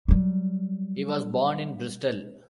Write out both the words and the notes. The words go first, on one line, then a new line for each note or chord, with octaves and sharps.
He was born in Bristol.
F#3 G3